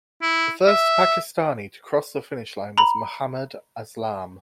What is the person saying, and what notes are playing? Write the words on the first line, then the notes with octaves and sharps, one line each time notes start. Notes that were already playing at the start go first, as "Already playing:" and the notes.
The first Pakistani to cross the finish line was Mohammad Aslam.
E4
E5
A#5 B5